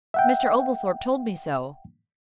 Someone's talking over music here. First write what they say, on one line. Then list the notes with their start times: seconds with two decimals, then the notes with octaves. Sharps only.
"Mr. Oglethorpe told me so."
0.14 E5 F#5 G5